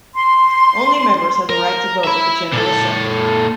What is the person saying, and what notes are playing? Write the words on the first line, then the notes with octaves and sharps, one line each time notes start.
Only Members have the right to vote at the General Assembly.
C6
A#4
E5 B5
A#2 A4